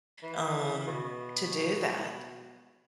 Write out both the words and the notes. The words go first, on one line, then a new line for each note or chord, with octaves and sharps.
um, to do that,
E3
B2